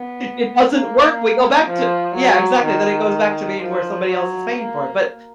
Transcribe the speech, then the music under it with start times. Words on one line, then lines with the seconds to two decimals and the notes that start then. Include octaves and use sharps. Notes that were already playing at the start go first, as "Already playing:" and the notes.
it doesn't work, we go back to yeah, exactly then it goes back to being where somebody else is paying for it, but
Already playing: B3
0.70 A#3
1.67 F3
2.16 F#3
2.64 D#3
3.61 F3
4.10 F#3
4.58 A#3